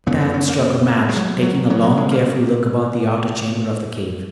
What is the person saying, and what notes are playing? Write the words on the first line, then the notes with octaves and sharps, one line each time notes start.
Tad struck a match, taking a long, careful look about the outer chamber of the cave.
F#2 C#3 B3
B3
C#4
A#3
G#3
F#3
F#3
F#3
F#3
G#3
A#3